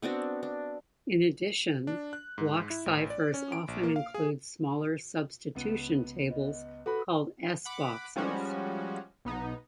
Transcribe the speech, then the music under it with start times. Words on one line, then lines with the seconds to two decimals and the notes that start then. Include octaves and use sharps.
In addition, block ciphers often include smaller substitution tables called S-boxes.
0.02 B3 C4 D4 F#4
0.43 D4
1.87 D4
2.13 F#6
2.38 G#2
2.70 E4
2.86 A1
3.10 D5
3.34 C#4
3.52 D7
3.68 A#1
3.83 A#3
3.96 F5
4.14 G#4
5.55 C#2 B3 D#7
6.31 D#5
6.86 F#4 A4 B4 B5
7.65 F#5 B5 D6
8.16 F3 G3 G#3 C#4 F#4
9.25 B1 B3 D#4